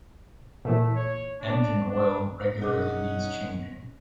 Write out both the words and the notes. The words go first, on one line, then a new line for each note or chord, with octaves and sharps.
Engine oil regularly needs changing.
A#2 E3 A3
C#5
D4
D4
B2 C#4 D#4 G#4 F#5 D6